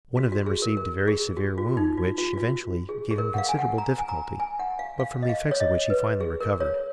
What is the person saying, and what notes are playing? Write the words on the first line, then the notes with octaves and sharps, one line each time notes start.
One of them received a very severe wound; which, eventually, gave him considerable difficulty; but from the effects of which he finally recovered.
F#4
F#4
G#4
A#4
A#4
G#4
F#4
F4
D#4
F4
F4
F#4
F4
G#4
G#4
A#4
F#5
F5
G#5
F#5
A#5
G#5
A#5
G#5
F#5
F5
F5
D#5
F5
C#5
D#5
B4
G#4
A#4
C#5